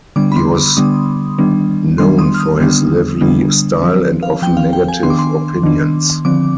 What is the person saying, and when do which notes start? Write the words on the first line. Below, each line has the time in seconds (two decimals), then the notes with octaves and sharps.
He was known for his lively style and often negative opinions.
0.16 D3 G3 B3 D4 D6
0.32 B5
0.36 C6
0.57 D6
0.77 D3 G3 B3 D4 D#6
1.38 D#3 G3 B3 D4
1.98 D#3 G3 B3 D4 C6
2.19 D#6
2.34 F6
2.40 D#6
2.60 D3 G3 B3 D4
3.21 D3 G3 B3 D4
3.82 F3 C4
4.23 F5
4.42 F3 G5
4.47 C4
4.57 F5
4.73 G5
4.88 G#5
5.03 D#3 B3 D4 C6
5.10 D6
5.19 C6
5.63 D#3 B3 D4
6.25 D3 F3 C4 D6